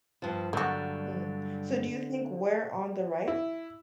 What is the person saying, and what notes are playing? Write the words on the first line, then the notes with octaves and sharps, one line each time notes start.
Mm. So, do you think we're on the right?
G2 F3
G2 D3 F#3 G3 A#3 F#4
E4